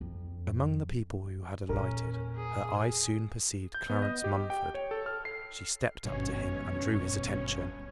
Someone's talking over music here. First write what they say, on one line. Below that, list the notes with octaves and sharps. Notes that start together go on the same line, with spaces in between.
Among the people who had alighted, her eye soon perceived Clarence Mumford. She stepped up to him and drew his attention.
F2
E2 A#2 C#4 A#4
G#4
G6
B3
D#5
G4
G5
C#5
A4
F6
C7
G#1 G2 B2 C#4 C#5